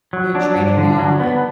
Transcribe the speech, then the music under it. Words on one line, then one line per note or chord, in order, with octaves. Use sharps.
you're trading off and
F#3
F#3 D4
G2
D3
F#3
B3